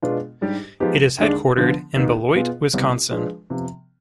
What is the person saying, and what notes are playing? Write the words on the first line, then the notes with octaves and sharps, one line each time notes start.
It is headquartered in Beloit, Wisconsin.
B2 G#3 B3 D4 F4
G#2 G3 D4 G4
F3 G#3 B3 D#4 G4
D#2 D3 G#3 D4
D3 F3 B3
D#2 D#3 B3
B2 B3 F4 G#4
C2 B2 G3 C4
F3 G#3 D4 F4 B4
C3 F3 B3